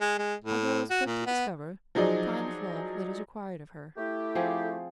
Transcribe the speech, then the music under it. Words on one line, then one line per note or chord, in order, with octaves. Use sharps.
A girl is quick to discover the kind of love that is required of her.
G#3
G#3
A2
F#4
A#2
B3
F3 F#3 D#4 G#4 D5
A3 E4 G4
F3 C4 G#4